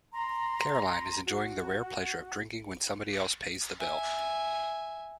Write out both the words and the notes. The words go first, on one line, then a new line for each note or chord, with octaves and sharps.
Caroline is enjoying the rare pleasure of drinking when somebody else pays the bill.
A#5 C6
F#4
E5 G#5